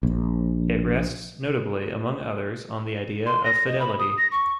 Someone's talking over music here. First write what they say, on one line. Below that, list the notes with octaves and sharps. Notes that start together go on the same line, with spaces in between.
It rests notably, among others, on the idea of Fidelity.
A#1
C6
A#6
D#5
B5
D#6
A#6
C#6